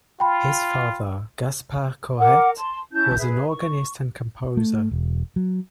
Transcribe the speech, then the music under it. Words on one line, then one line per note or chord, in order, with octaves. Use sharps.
His father, Gaspard Corrette, was an organist and composer.
F4 G5 B5
A#4 F#5 D6
A5 C6
C#4 E4 A5 G6
G#4 B4 E5
C#6
A3
E1
F#3